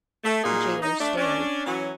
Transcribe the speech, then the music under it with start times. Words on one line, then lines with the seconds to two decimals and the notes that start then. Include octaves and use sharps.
The jailer stared.
0.24 A3
0.43 A#2 F#3 G3 A#3 D#4 G#4
0.82 D#4
0.99 A3 D4
1.17 C#4 D4
1.66 E3 F#3 C#4